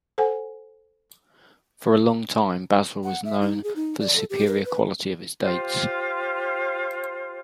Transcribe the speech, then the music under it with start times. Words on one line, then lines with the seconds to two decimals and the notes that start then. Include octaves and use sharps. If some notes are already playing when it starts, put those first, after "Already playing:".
For a long time, Basra was known for the superior quality of its dates.
0.18 A4 C5 F#5 G#5
3.04 F#5
3.25 E5
3.41 D#4
3.64 G#4
3.76 D#4
4.00 D5
4.16 A4
4.30 G4
4.47 A#4
4.65 B4
5.42 F4 G4 C5